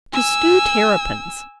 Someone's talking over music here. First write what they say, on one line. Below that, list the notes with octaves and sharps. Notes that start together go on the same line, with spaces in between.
To Stew Terrapins.
G#5 E6